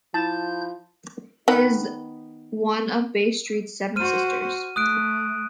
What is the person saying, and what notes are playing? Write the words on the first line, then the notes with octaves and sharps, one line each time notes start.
It is one of Bay Street's "Seven Sisters".
F3 E4 A5 G6
D#3 B3
F#4 C5 F6 D#7
A3 D#6 F#6 D7